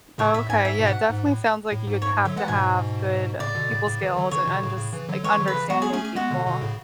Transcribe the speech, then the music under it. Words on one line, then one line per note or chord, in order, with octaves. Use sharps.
Okay, yeah, definitely sounds like you would have to have good people skills a and just, like, understanding people
A2 C#3 C#5
A2 E5
G#2 G#5
G#2 E5
G#2 B2
F#5
G#2
A2
A2
G#2
G#2 C#5
G#2
D3 F#3 E5
E3 G#3 F#5
G#2 B2 G#5
A2 C#3 D5
B2 D3
A2 C#3
A2 C#3
C#3 E3
D3 F#3
C#3 E3 C#5
B2 D3
A2 C#3
A2 C#3
C#3 E3
D3 F#3
E3 G#3 C#5
D3 F#3
B4
C#3 E3
G#3 B3 F#4
G#4
A3 C#4 G#4
G#4
G#3 B3 F#4
B2 D3
B2 D3
A2 C#3